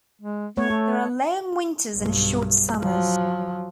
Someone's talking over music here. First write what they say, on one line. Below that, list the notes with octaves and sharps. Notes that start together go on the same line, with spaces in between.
There are long winters and short summers.
G#3
A3 B3 C#5
A3 A4
B1 G2
F3 F#3